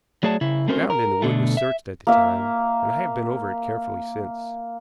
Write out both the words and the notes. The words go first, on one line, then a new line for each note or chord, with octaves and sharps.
The ground in the wood was searched at the time, and I have been over it carefully since.
F#3 A3 G#4 C#5 D5 A5
C#3 E4
A3 C4 C#4 F#4 A#4 C5
A#4
B2 D3 A3
E5
A#3 E5